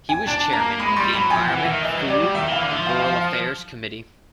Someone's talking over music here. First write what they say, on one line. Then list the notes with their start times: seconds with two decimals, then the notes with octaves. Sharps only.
He was Chairman of the Environment, Food and Rural Affairs Committee.
0.09 G#5
0.27 D4 A5
0.53 A#3 A#5
0.79 G#3 B5
0.96 G3 C6
1.13 F#3 B5
1.30 F3 G#5
1.47 E3 F#5
1.65 D#3 E5
1.83 E3 D#5
1.96 F#3
2.08 G3 D5
2.17 F#3
2.21 G3
2.34 D#3 E5
2.47 E3 F5
2.60 D3
2.69 F3 E5
2.86 F5
2.99 F5
3.12 F5